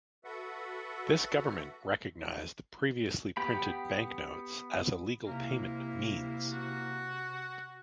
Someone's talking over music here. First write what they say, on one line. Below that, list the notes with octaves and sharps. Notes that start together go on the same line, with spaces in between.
This government recognized the previously printed banknotes as a legal payment means.
F#4 A4 B4 E5 F#5
B3 G4 G5 B5
C3 A#3 E4
F#4